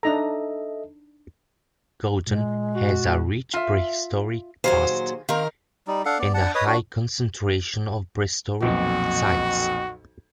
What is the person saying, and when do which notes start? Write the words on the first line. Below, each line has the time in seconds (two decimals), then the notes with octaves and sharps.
Gourdon has a rich prehistoric past, and a high concentration of prehistoric sites.
0.03 D4 D#4 A4 D#5 E5 A#5
2.27 A#2 G#3
2.75 F#4
3.53 F4 E5
4.64 A#2 D#3 F#3 G#4 C5 F5
5.29 D#3 C4 A#4 F5
5.88 G3 D#4
6.06 D4 A4 F5 F#5
6.19 B3 D5
6.34 D4 F#5 A5
6.55 B4 C#5 D#5 D#6
6.67 D4 F#4
8.62 B1 F2 A#2 F#4